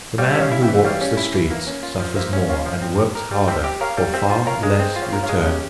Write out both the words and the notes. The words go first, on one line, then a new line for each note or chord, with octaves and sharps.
The man who walks the streets suffers more, and works harder, for far less return.
G3 C#5 F5
C#4 E5
C#5 F5
E4
E5 G5
E3
G3 C#5 F5
C#4
E4
E3
A#3
C#4
F4
F3
A#3 C5 E5
C#4
F4 C#5 F5
F3
C4
G4
A#4
G3
C4 E5 G5
G4
A#4 C#5 F5
G3
C4 E5 G5
F4
A#4 C#5 F5
G#3
C4
F4
C#5 F5
A#4
C#5 F5
G#3
C#4 G4